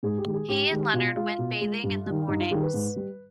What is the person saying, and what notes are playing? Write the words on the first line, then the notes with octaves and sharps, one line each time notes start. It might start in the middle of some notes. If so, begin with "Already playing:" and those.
He and Leonard went bathing in the mornings.
G#2 G#4
G4
D#3 G#3
G#4
G#2 G4
D#3 G#3
B2 F4
G#3 F4
B2
G#3
G2
D#3 G3
G2 D#4
F4
D#3 G3 G#4
B4
G#2
G3